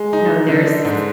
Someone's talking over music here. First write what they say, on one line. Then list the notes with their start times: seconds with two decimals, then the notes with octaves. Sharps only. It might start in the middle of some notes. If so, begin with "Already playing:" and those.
No. There's
Already playing: G#3
0.13 D#4
0.49 D3
0.85 G#2